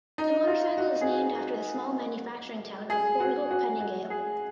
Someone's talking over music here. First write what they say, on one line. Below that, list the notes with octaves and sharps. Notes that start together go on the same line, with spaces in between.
The motorcycle is named after the small manufacturing town of Borgo Panigale.
D#4
F4
F#4
G#4
F#4
G#4
F#4
F#4
F#4
G#4